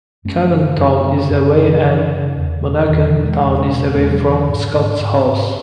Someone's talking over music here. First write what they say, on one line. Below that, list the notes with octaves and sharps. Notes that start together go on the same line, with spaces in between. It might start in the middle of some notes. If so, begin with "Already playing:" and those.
Cavan town is away and Monaghan town is away from Scotshouse.
F#2 A3 C#4
C#3
F#2
C#3
F#2
C#3
F#2 E3
C#3
E2
B2
E2 D#3
E3
B2
E3 G#3
E2
B2
E2 G#3 B3
F#3
B2 E3
G#2
G#2
G#2
G#2